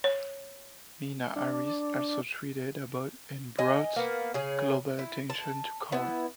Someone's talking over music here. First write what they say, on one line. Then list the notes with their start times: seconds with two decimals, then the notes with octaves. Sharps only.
Meena Harris also tweeted about and brought global attention to Kaur.
0.04 C#5
1.36 D4
3.59 D#5 G#5
3.96 A#3 B3
4.34 C#3 G#4
4.99 E4
5.30 A5
5.92 B3 E4